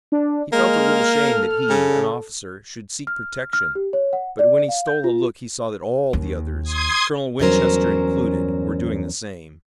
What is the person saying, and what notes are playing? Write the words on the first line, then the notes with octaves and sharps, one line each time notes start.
He felt a little shame that he, an officer, should seek protection, but when he stole a look he saw that all the others, Colonel Winchester included, were doing the same.
D4
G#3 A#3 F6
A4
C#3
F6
F6
G4
C#5
F#5
D5
F5
G6
F4
D#2
C6 D#6 G#6
E2 G2 F#3 C#4 A#4 C5